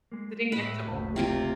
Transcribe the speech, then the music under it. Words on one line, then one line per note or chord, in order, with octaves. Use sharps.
Sitting next to old people.
G#3 A#3
A2 A3 B4 B5
F#1 D2 A2
C3 A#3 F4